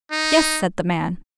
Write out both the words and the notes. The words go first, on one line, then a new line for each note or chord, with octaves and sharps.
"Yes," said the man.
D#4